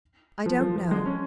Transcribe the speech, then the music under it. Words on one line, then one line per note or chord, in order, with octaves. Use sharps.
I don't know.
F3
F3
F3
G#3
C#4